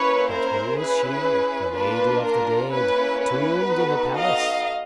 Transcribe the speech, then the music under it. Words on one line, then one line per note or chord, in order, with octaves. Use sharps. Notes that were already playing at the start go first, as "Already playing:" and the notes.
But who was she, the lady of the dead, Tombed in a palace?
Already playing: A#3 C#4 E4 B4 C#5
A#4 C5
C#4 E4 G#4 B4
A#3 D4 F4 B4
A#4
A#3 C#4 E4 B4
B4
B3 D#4 F#4 A4
D#5 F5